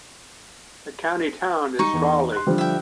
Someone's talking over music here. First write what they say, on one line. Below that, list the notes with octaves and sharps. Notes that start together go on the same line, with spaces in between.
The county town is Tralee.
G3 D#4 C#6
E2
C6 F#6
D3 F3 G3
E5 G5